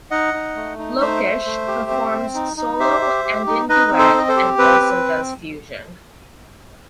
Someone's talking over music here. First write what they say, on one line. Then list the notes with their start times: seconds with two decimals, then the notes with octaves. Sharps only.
Lokesh performs solo and in duet and also does fusion.
0.11 D#4 D#5 F#5
0.34 D#4
0.56 A3
0.79 D#4
1.01 A3 C5 E5
1.23 A3
1.45 A3
1.67 G4
1.91 C4
2.12 C4
2.34 D#4
2.57 D#4
2.80 G4 C5 E5
3.01 G4
3.25 G4
3.47 D#4
3.69 D#4 B4 D#5
3.91 C4
3.99 A4 C5
4.13 C4 D#5
4.28 A4 C5
4.36 G4
4.58 C4 B4
4.81 C4